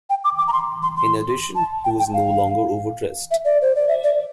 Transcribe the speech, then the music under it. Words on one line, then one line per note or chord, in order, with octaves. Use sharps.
In addition he was no longer overdressed.
G5
D6
D6
A#5
C6
C6
C6
A5
G5
G5
F5
E5
D5
C5
D5
E5
D5